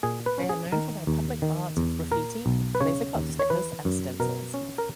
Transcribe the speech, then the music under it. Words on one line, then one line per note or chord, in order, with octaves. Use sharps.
They are known for their public art, graffiti, laser-cut stickers and stencils.
A#2 G#4
B4
C#4
G#4
D#3 A#4
D#2
D#3
E2
A#2 A#4
B1
B4
C#3 C#5
D#2
C#5
E3 B4
F#2
B2 A#4
C#4
A#4